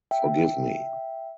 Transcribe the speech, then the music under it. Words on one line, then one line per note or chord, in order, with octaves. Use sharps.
Forgive me.
E5 G5